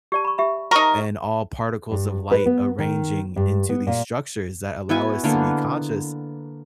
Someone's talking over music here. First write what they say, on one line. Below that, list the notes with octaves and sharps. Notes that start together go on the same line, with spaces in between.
And all particles of light arranging into these structures that allow us to be conscious
G4 D5 A5
B5 C#6
G4 E5 B5
D#4 A#4 C5 A5 C#6
G2
B4
B3
D#3
G2
B3
A#2
B3 E4 F#4 G#5
D3 A#3 B3